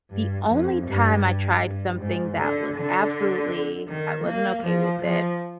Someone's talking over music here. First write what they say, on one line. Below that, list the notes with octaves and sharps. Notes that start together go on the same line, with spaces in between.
The only time I tried something that was absolutely, I wasn't okay with it,
G2
F2
G2
G2
G#2
D3
D3
D#3
A#3
F3
F3